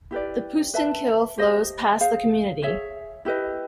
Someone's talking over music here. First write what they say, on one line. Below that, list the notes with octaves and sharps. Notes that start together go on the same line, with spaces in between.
The Poesten Kill flows past the community.
E4 G4 B4 D5
B4 E5 A5
G4 C5 D#5
G#4 C5 F5
G#4 C#5 E5
E4 G4 B4 D#5